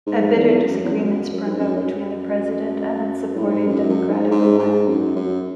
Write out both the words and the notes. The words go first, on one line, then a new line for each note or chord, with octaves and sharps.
A bitter disagreement sprung up between the president and its supporting Democratic Alliance.
G#2
E2
F#2
E2
F#2
F#2
G#2
F#2
F#2
A2
G#2
F#2
F#2
G#2
G#2
G#2
F#2
F#2